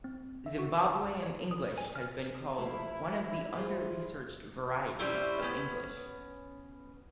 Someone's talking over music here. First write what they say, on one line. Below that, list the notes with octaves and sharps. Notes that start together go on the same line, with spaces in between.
Zimbabwean English has been called "one of the under researched varieties of English".
C4
E5
F#4
D6
C#5
D#6
G#5
F6
F3 A3 E4
F4 G#4 C5
G3 C4 C#4 E4
B3 C#4